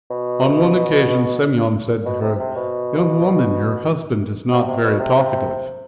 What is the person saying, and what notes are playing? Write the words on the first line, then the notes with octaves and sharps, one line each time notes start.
On one occasion Semyon said to her: "Young woman, your husband is not very talkative."
B2
B2
C3
C3
B2
C3
C3
B2
C3